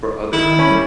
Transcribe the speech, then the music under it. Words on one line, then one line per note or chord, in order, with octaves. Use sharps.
for other people,
D#3 E4
C#4 B5
G3